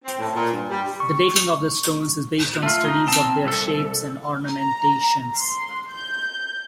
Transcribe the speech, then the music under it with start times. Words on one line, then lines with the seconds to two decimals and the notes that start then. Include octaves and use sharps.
The dating of the stones is based on studies of their shapes and ornamentations.
0.05 C4
0.19 A2
0.35 A#2
0.52 G2
0.70 G3
1.00 C#6
2.63 A3 F4
2.85 D#4
3.07 C4 A5
3.44 C2 A4
4.48 A#5
5.37 C6
5.91 G6